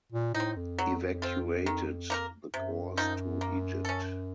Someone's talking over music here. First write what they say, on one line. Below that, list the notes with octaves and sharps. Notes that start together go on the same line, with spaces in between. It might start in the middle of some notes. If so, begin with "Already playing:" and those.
Evacuated the corps to Egypt.
A#2
A2 D#4
C4
F2
F#3
C4 F4
D#3
A#3 D#4 A#4
F#2 C3
F3 C4 D#4
A#3
C#4 A4